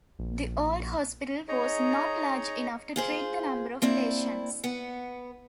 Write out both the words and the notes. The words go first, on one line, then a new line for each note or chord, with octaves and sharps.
The old Hospital was not large enough to treat the number of patients.
A#1
D#4 G#4 C#5 D#5 A#5
F4 G#4 C5
A#3 C4 D4 E4
B3 F#5